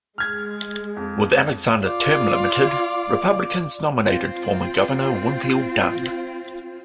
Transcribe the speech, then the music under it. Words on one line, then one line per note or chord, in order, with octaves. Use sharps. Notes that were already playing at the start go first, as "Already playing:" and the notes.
With Alexander term-limited, Republicans nominated former Governor Winfield Dunn.
G#3 F6 G#6
F2
F4 D5
C4 F4